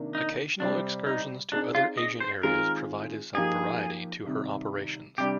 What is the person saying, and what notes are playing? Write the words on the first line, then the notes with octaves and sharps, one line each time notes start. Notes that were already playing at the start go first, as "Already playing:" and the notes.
Occasional excursions to other Asian areas provided some variety to her operations.
Already playing: C3 D#3 A#3 D4
D#4
C3 G3 C4 D4 G4
D#4
C4 D4 D#4 G#4 D5
F4
D#5
C5
D#3 G#3 C4 F4 G#4 A#4
F3 A#3 D#4 G4 G#4
C3 D#3 G3
C3 G3 D4 G4